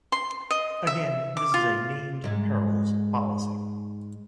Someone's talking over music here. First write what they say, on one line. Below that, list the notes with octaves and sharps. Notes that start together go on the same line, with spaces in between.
Again, this is a "named perils" policy.
C6
D#5
E5
D6
F4
G#2 G#3